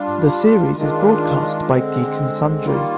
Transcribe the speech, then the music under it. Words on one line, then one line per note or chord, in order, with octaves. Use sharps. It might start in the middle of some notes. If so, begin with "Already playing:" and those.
The series is broadcast by Geek and Sundry.
Already playing: G3 D4 F4
D#3 G#3 D4 F4
D3 G#3 C4
D#3 G3 A#3 F4